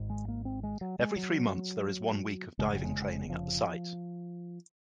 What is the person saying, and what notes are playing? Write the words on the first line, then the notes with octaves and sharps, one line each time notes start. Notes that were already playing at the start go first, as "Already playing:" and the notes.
Every three months there is one week of diving training at the site.
Already playing: G#1 G#2
G#3
A#3
C4
G#3
F#3
G#3
F#3
F1 D#2 C#3 G#3
F#3
G#3
F3